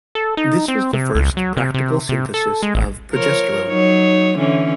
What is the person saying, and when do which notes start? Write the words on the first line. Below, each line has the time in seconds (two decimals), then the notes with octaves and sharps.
This was the first practical synthesis of progesterone.
0.15 A4
0.37 D#4
0.68 C4
0.93 C3
1.15 C#2
1.37 F#3
1.57 C3
1.74 C3
2.09 C3
2.34 A4
2.63 G#3
2.75 A1
3.12 F3 A#4 C#5
3.68 F#3 D#4 C#5
4.37 D3 E3 C#4